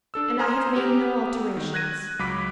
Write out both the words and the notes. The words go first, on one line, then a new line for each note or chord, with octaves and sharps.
And I have made no alterations.
D4 A4 E6
C5 G#5 A#5 C6 D#6 F6
B3 G4
D#3
F#6 G#6 A#6 D#7
C#2 F#3 B5 D6 B6